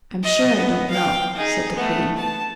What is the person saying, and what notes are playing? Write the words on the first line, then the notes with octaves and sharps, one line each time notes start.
"I'm sure I don't know," said the queen.
D#5
B3
F5 G5
D#4 G#4
A3 B3
A5